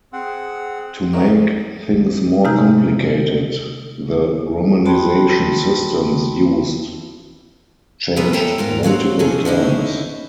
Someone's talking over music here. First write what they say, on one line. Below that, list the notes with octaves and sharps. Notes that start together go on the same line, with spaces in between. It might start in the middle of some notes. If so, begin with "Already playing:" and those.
To make things more complicated, the romanization systems used changed multiple times.
C4 G#4 F#5
E2 G#2 C#3 A#4
C3 G#3 D#4 A#5 F6 G6
F#4 G5 A5 B5 C6
C3 E3 G3 B3 A#4 B4
A4 C#5 E5 G5 A#5
G#2 F4 A#4
C4 F#4 C#5 F5
C3 F3 C#4 G#4
D3 C#4 D#4 E4